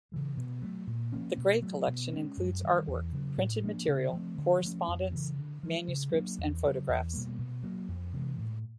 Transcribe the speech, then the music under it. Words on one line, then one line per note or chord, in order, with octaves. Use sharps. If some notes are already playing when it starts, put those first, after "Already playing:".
The Gray collection includes artwork, printed material, correspondence, manuscripts and photographs.
C#3 E3 G#3
B2
F#3 A3
A#2
F3 A#3 C#4
B2
F#3 A3
B2
G#3 C#4
F#2
D#3 G3
E2
C#3 F#3
A2
F3 A#3 D4
C#3
F3 A3 C4
D3
F3 A3 C#4
F2
C#3 E3
D3
F3 G#3
C#3
F#3 A#3 D4
E2
C#3 F#3
E2
B2 G3 A#3
B2
F#3 A#3
F2
C3 E3 G#3
A2